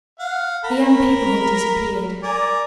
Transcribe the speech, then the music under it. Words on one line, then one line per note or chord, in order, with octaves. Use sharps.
The young people had disappeared.
F5 F#5
A#4 B5
A#4 D5 G#5